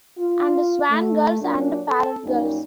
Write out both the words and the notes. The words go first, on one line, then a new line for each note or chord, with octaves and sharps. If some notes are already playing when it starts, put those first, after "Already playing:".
And swan girls and parrot girls.
F4
A3
A#2 F#3 D4
A4
F#2 A#2 G3 D#4